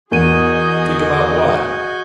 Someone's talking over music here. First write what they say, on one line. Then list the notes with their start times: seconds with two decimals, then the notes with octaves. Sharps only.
"Think about what?"
0.12 E2 F#4 G#4 A#4 D#5 G#5 G6 D#7